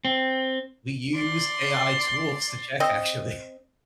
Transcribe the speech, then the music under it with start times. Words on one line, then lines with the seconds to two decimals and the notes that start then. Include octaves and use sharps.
we use AI tools to check actually.
0.05 C4
1.15 D5 C6
2.80 C4 D#5